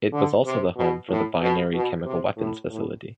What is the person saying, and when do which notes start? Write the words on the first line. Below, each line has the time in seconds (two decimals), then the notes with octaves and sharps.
It was also the home for the Binary Chemical Weapons Facility.
0.12 D3
0.45 C3
0.77 B2
1.09 A2
1.41 B2
1.74 B2
2.05 C3
2.37 A2
2.70 A2